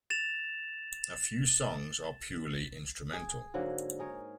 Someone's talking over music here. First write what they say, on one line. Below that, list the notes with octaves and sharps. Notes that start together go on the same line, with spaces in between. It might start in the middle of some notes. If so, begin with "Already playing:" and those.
A few songs are purely instrumental.
A6 E7 F7
G#4
G#2 D3 F#3 A#3
D#4 G#4 A#4 C#5